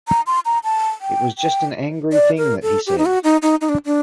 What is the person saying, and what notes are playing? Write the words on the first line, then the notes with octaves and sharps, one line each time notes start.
It was just an angry thing that he said.
A#5
C6
A#5
A5
G5
G5
D5
A#4
A4
G4
D#4
F#4
D#4
D#4
D#4
D4
D4